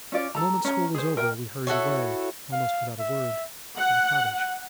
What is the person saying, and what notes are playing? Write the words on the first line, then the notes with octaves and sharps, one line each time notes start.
The moment school was over, we hurried away, almost without a word, to the cottage.
C#4 F4 D5
A4 A#5
C#4 A#5
G#4 C5
A#4 D#5 G5
E4 F#4 A4 C#5
F5
E5
F#5